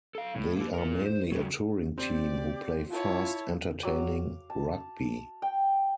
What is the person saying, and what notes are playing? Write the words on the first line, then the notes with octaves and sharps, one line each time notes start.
They are mainly a touring team who play fast entertaining rugby.
A4 F5
A2
A#3 G4
F4 A#4
C5
G2 F#3
C4 G4 D5
E4 F4 C#5 A5
F#3 D6
F5
A5
G5